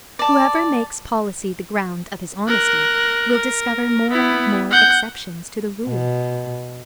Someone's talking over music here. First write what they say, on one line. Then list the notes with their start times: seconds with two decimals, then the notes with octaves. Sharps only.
Whoever makes policy the ground of his honesty will discover more and more exceptions to the rule.
0.19 D5 A5
2.48 A#4 F#6
3.32 A#4
4.11 B3 E4
4.71 F#5 G6
5.87 B2